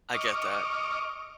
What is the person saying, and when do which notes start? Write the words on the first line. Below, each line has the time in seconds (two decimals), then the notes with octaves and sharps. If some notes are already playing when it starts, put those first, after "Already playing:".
I get that.
0.14 D#5 C#6 D6 F6